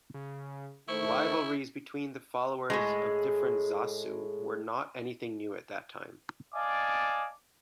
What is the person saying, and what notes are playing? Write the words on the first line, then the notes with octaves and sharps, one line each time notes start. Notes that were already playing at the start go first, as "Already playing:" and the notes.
Rivalres between the followers of different "zasu" were not anything new at that time.
C#3
D#3 A3 E4 C5 C#6
A2 D#3 G#3
D5 D#5 F5 G#5 A5 D6